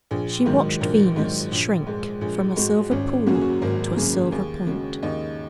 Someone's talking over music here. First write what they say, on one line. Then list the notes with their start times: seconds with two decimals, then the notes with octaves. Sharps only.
She watched Venus shrink from a silver pool to a silver point.
0.11 A#1 G#4
0.46 G#2 D#3 F#3
0.81 A#1 A#4
1.16 G#2 D#3 F#3
1.51 A#1
1.87 G#2 G#3
2.21 A#1 G#4
2.56 G#2 G#3 F#4
2.91 G#1 C#4
3.26 F#2 C#3 F#3 A#3 F#4
3.34 G#4
3.41 F#4
3.62 G#1 A#4
3.97 F#2 C#3 F#3 A#3 G#4
4.32 D#2 G#4
4.67 C#3 G#3 F#4
5.03 D#2 D#4